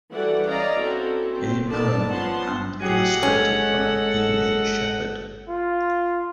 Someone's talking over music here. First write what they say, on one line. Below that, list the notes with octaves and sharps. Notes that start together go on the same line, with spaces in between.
A. Milne and illustrated by E. H. Shepard.
E3 G3 F#4 A4 D5 F#5
C#4 D5 D#5 F5 A#5
C4 C#4 E4 F#4 A4
C4
D3 D#3 B3 D5 A5
F3 B3 C#4 F#5 A5 C6
F#3 G4 G#4 D#5 F#5
G#3 C#4 A4
F4